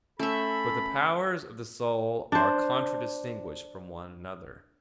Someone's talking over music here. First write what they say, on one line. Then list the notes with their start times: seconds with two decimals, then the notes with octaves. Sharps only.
But the powers of the soul are contradistinguished from one another.
0.20 A3 C#4 A4 E5 B5
2.32 D4 C5